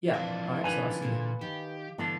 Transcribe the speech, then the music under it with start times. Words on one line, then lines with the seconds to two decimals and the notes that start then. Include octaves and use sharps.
Yep, alright, so I'll see ya,
0.14 F2 E3 F3 D4 B4 C5 D5 F5
0.64 D3 D#3 C#4 B4 G#5
1.02 A#2 D3 E3 F4
1.41 D#3 G4
1.98 E2 G2 D3 B3 B4 A5